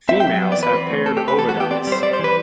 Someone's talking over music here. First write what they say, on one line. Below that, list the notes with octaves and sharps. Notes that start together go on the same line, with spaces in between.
Females have paired oviducts.
C4 E5
G5
F#3
B3
D5
E3
B4
C4
A3
C4 A4
G4
A3 B4
E3 A4
F#4
B3
G4
C4 D5
G3 C5
G3 D5
C5
E3 B4